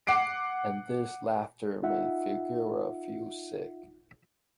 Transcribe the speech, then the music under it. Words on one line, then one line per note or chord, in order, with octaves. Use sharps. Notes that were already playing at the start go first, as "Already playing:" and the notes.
And this laughter made Figura feel sick.
F#5 D6 C7 D7
D#4 F4 E5 F#5